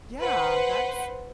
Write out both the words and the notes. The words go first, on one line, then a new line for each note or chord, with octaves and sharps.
Yeah, that's
B4 C5 F#5